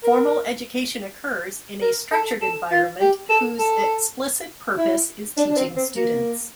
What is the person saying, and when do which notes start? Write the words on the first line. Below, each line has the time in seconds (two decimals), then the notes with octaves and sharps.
Formal education occurs in a structured environment whose explicit purpose is teaching students.
0.04 A#4
1.82 A#4
2.12 A4
2.42 A4
2.71 F4
3.00 G4
3.29 A4
3.59 A4
4.78 E4
5.37 D4
5.50 D4
5.57 C4
5.76 C4
5.96 A#3